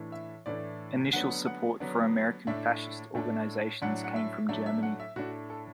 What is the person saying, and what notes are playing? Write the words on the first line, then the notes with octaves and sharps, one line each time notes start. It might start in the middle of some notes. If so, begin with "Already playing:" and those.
Initial support for American fascist organizations came from Germany.
Already playing: A2 E3 A3 D4
E5
A2 E3 A3 D4 D5
D3 F#3 B3 D4 F#5
F#5
D3 F#3 B3 D4
A2 A3 D4 E5
A2 A3 D4
A2 F#3 A3 D4 F#5
F#5
E5
A2 F#3 A3 D4 E5
E5
F#5
E5
A2 A3 D4 F#4
A4